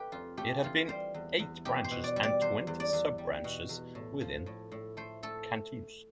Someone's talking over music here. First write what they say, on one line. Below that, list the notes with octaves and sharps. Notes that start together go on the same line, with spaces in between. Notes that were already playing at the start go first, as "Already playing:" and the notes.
It had eight branches and twenty sub-branches within cantons.
Already playing: A3 G4 B4
F2 F4
A3 G4
E3 F4
G3 C5
E2
E2
B2 G4
C5
B2
D5
G3
D5
E2 C5
E2
D5
E2
G3
B2
E2
A2
F3
A2
A2
A3 C5
A3 A4